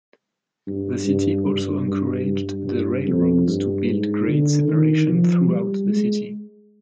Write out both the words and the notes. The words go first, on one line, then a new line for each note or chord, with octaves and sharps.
The city also encouraged the railroads to build grade separation throughout the city.
G2
G2
G2
G2
G2
G2
F2
G2
G#2
D3
D#3
F3
G3
G#3